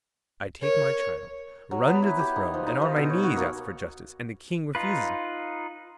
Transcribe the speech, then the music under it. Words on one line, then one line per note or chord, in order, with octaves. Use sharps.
I take my child, run to the throne, and on my knees ask for justice, and the King refuses me.
A#4 C#5
F#3
B3
E4
G4
D#4
F3
D#4
F3
B2
C#5
F#4
A#3
D#4 F4 B4